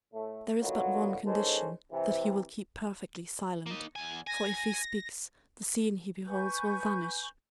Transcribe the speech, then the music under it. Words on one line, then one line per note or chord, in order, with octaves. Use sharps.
There is but one condition, that he will keep perfectly silent; for if he speaks, the scene he beholds will vanish.
A2 A3
D3 D#3 F#3 B3 F4 F#4
D#3 E3 G#3 C#4 A4 C5
C3 E3
A#3 D#4
E2 G#5
G#5 A#6
B4 G#5 C#6 G6